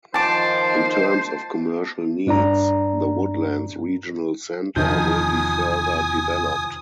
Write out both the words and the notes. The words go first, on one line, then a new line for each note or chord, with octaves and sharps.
In terms of commercial needs, the Woodlands Regional Centre will be further developed.
D#3 F3 D#4 C5 A5 D6
G2 D4 D5 A#5
E2 C3 D#3 F3 G#5 D#6 G6